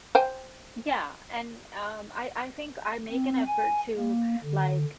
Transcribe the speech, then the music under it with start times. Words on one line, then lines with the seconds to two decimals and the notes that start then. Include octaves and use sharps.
Yeah, and, um, I I think I make an effort to, like,
0.15 C5 G5 G#5
3.11 C4
3.47 G#5
3.99 A#3
4.44 D3